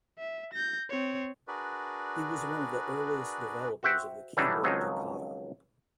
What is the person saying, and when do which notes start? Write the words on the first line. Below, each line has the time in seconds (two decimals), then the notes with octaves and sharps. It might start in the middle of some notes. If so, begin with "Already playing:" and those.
He was one of the earliest developers of the keyboard toccata.
0.18 E5
0.53 G6 A#6
0.90 C4 C#5
1.48 D4 F#4 G#4 A#4 B4 D5
3.83 F#4 C5 E5 F#5 G5
4.37 D3 E3 F#3 G3 D4 D#4
4.64 C#2 D#3 F3 F#3 C4 D#4